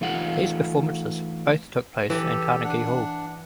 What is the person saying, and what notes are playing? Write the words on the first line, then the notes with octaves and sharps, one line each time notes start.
These performances both took place in Carnegie Hall.
E3 A3 D#4 F4 F5 F#5
E3 G4 A4
D4 F#5